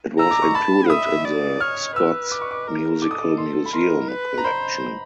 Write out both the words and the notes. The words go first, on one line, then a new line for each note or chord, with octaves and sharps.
It was included in the "Scots Musical Museum" collection.
A#5 E6
D6
C#6
A5 B5
E5 D#6
D5
C#5 F6
B4 E6
D6
C#6
D6
A#4
A4 D6
D#6
D6
C6
B5
A#4 C6
B4
A#5
C5 B5